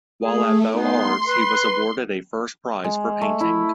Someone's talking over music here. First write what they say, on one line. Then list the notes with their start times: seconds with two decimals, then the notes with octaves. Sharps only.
While at Beaux Arts, he was awarded a first prize for painting.
0.24 A3 G#4
0.74 B3 D#4 C6
1.28 B4
2.84 G#3
3.21 A3
3.40 E4